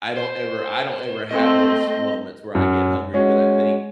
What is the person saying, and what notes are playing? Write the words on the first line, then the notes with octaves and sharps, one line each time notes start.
I don't ever I don't ever have those moments where I get hungry, 'cause I think,
C5
A3 C4 D#5
F#2
G#3 C#4 F#4